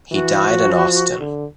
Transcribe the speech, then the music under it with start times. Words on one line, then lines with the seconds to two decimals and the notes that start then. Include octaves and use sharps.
He died in Austin.
0.11 E3 F#4
0.49 F3
1.19 D3